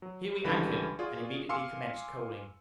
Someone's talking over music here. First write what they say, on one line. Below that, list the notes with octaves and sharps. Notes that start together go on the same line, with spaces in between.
Here we anchored, and immediately commenced coaling.
F#3
C#2 D3 E3 G3 B5
F4 F#4 G#4 D5
F5 G#5 C6 D6 E6 C#7